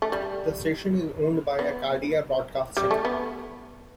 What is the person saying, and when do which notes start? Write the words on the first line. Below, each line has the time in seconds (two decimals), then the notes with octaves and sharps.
The station is owned by Acadia Broadcasting.
0.02 A3
0.12 G3
1.59 B3
2.77 G3
2.91 A3
3.05 B3